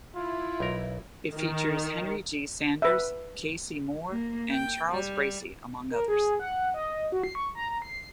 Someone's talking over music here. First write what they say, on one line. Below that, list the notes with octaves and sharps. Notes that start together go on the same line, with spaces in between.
It features Henry G. Sanders, Kaycee Moore, and Charles Bracy, among others.
E4 F4
B1 A#4
D#3
B4 E5
A#3
G5
G3
A#4
G#4
F#5
D#5
F#4
C7
C#6
A#5
A#5
C7